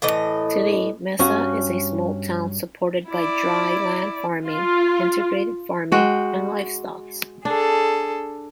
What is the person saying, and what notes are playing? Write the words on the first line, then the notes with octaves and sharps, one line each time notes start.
Today, Mesa is a small town supported by dryland farming, irrigated farming, and livestock.
A2 E3 D#5
G2 C#4 F#4
E4 D5
F4
G#3 F#4 G5
D4 G#4 A4